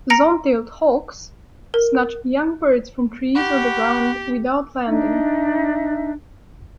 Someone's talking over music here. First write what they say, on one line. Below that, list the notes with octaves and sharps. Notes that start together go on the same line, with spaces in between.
Zone-tailed hawks snatch young birds from trees or the ground without landing.
A#5 A#6 C#7 D7
A#4
G4 F#5 B5 C#6
D4 D#4 E5